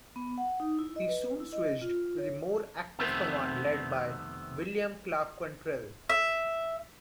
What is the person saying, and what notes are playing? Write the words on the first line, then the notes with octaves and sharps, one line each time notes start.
He soon switched to the more active command led by William Clarke Quantrill.
B3
F#5
D#4
E4
D#5
B4
E4
D#5
F4
C#5
F2 C3 D#3 A3 B3 C4
E5